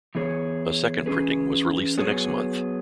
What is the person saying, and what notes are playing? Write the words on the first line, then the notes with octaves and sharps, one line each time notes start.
A second printing was released the next month.
E3 B3 G#4 C#5
E3 C#4 G#4 B4
F#3 B3 G#4